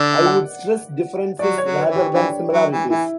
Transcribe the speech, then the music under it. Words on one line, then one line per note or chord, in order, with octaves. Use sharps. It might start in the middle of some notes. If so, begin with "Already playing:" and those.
I would stress differences rather than similarities.
Already playing: D3 D5
F#5
F#3 D5
C#5
F#3
B4
E3
G4
E3 D4
F#3
E3
E3 E4